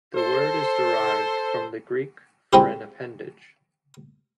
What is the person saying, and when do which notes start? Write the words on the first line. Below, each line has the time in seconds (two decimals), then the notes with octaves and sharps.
The word is derived from the Greek for an appendage.
0.16 A4 C5
2.53 G#3 C4 E4 G4